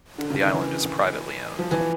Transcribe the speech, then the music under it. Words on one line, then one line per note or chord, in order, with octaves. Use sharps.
The island is privately owned.
D3
C#3
D#3
E3
F3
E3